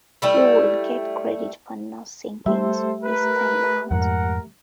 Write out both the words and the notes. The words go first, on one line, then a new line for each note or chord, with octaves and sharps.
She would get credit for no sinkings this time out.
G3 A3 E4
G3 A3 G4 A4 C5 E5
A#4 B4
F2 G#2 A#4 F#5